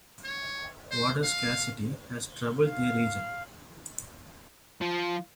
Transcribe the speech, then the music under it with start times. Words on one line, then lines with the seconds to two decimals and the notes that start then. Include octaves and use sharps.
Water scarcity has troubled the region.
0.25 C#5
0.92 C5
1.24 F5
2.69 F5
4.81 F3